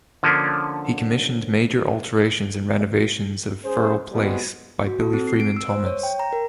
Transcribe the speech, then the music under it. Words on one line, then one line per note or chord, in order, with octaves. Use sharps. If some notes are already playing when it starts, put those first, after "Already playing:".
He commissioned major alterations and renovations of Firle Place by Billy Freeman Thomas.
D3 F3 A#3 C#4 D4
C#4 G#4 C5
G3 G#3 B3 C4 F4 F#4
F#4
A4
C4
C7
D7
E6
C5
C#5
G5
A#5
A#4